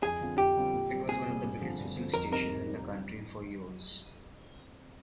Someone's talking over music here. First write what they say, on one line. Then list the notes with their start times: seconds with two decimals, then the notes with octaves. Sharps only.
It was one of the biggest switching stations in the country for years.
0.03 F2 G#4
0.21 D3 G3 C4 F4
0.38 F2 G4
0.56 D3 G3 C4 F4
0.74 A#2
0.91 G3 C4
1.08 A#2 G#4
1.26 G3 C4
1.43 G2
1.60 D3 F3 C4
1.78 G2
1.96 D3 F3 C4
2.14 F2 A#4
2.31 C3 G3 C4 D#4 A#4
2.48 F2
2.66 C3 G3 C4 D#4